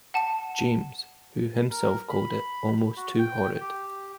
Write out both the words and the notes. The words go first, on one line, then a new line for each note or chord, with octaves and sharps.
James, who himself called it "almost too horrid".
F#5 A5
A#4
B5
F#4
G5
G4